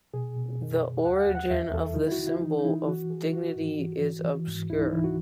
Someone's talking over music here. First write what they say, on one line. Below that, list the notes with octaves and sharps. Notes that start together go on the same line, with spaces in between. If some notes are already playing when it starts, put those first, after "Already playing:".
The origin of this symbol of dignity is obscure.
B2 G#4
B2
F#2
D#3
D#2 F#5
F#5
D#2
F#5
E2 E5
E2 A4
D#3 E4
E4
F#4
D#3
E4
E3 D#4
D#4
E3 E4
E3 F#4
E3 G#4
D#3 F#4
G#2
E3
E3
E3
G#2
C#2 E4
D#4
E3 E4
F#4